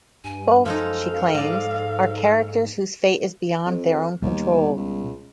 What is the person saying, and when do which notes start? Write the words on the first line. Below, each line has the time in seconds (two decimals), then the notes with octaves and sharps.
Both, she claims, are characters whose fate is beyond their own control.
0.24 G2 G#5
0.66 F#2 F3 G#3 D#4 A4 F5
1.34 G#2 D5 D#5
3.66 F2
4.22 D#2 B2 G3
4.76 C#2